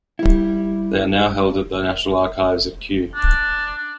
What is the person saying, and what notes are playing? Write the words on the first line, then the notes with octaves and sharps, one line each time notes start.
They are now held at The National Archives at Kew.
G3 E4
D4